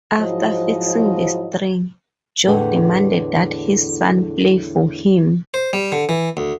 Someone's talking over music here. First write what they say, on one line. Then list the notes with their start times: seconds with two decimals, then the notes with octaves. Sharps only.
After fixing the string, Joe demanded that his son play for him.
0.18 G#2 F3 F#3 E4 C5 D#5
2.47 E2 A2 D3 B4 F#5 G5
5.54 C5
5.73 G3
5.92 D3
6.09 E3
6.37 D2